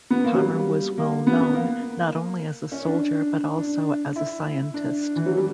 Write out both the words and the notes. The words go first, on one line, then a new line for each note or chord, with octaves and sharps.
Palmer was well known not only as a soldier but also as a scientist.
B3
A#3
F#3
G3
A#3
B3
B3
A#3
C#4
D4
D4
E4
D4
E3
F#3
G3